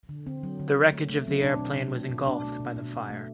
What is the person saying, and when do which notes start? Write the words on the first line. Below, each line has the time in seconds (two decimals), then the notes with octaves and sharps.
The wreckage of the airplane was engulfed by the fire.
0.09 D3
0.26 D3 C4
0.43 F#3
0.60 D3
0.77 D3
0.93 A3
1.09 A3
1.27 F#3 C4
1.41 B2 D4
1.55 B2 C4
1.77 B2
1.93 A3
2.10 B2
2.27 B2 D4
2.44 A3
2.60 B2
2.76 B2
2.94 B2
3.10 A3